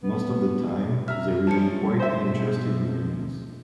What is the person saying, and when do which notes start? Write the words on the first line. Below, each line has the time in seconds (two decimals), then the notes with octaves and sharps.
Most of the time they remain quite uninterested in humans.
0.02 B3
1.08 E5 A#5 F6
1.47 F3 C#4 A5 C#7
1.99 B2 F3 G#3 C5 E5